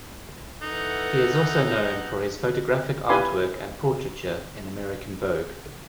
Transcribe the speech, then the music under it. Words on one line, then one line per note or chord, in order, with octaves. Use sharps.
He is also known for his photographic artworks and portraiture in American Vogue.
E3 D#4 A4 F#5
E4 G4 B4 G#5 B5 C6